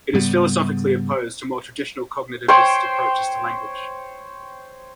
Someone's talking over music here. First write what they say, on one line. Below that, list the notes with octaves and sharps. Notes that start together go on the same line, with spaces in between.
It is philosophically opposed to more traditional cognitivist approaches to language.
G#2 C#3 G3 B3
C5 C#5 G5 C6